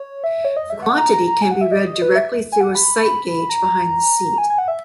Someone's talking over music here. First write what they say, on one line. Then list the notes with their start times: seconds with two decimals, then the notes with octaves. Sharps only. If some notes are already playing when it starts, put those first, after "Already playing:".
The quantity can be read directly through a sight gauge behind the seat.
Already playing: C#5
0.24 E5
0.45 C#5
0.57 D#5
0.70 E5
0.82 F#5
0.98 A#5
1.13 A#5
1.27 A#5
1.42 G#5
1.51 F#5
1.61 E5
1.72 D#5
1.87 D#5
2.02 B4
2.15 E5
2.52 G#5
2.61 F#5
2.75 B5
3.50 A#5
4.38 G#5
4.50 G#5
4.58 F#5
4.68 E5